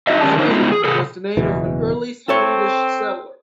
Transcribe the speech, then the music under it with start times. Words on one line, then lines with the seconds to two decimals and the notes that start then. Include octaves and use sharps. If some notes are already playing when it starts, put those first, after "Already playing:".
Viding was the name of an early Swedish settler.
0.07 D#4 F#4 D#5 E5
0.21 D#3 G3 C#4 G4 D5 A5
0.38 D3 D#4 C5 C#5
0.51 G#3 B3 D#4 F4 F#4
0.72 G#4
0.84 C3 G#4 A4
1.37 F#1 E2 B2 E3
2.29 C4 A4 C#5